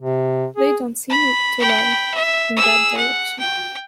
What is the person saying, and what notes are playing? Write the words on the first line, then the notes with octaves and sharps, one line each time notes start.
They don't seem to lie in that direction.
C3
G#4
B5
G5 B5
E5
G#4 E6
F#5
G5